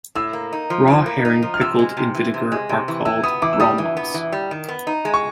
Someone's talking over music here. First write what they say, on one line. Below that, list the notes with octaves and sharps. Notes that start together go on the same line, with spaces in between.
Raw herring pickled in vinegar are called rollmops.
A2 E6
A#3
D#4
F3
A2
A#3
D#4
F3
F6
C3 E6
G#3
C3
E3
C3
G#3
C3
E3
E3 E6
B3 D#6
E3 D6
E6
G3 D#6
E3
B3
E3
G3
D#3
B3
D#4
G#3
C#6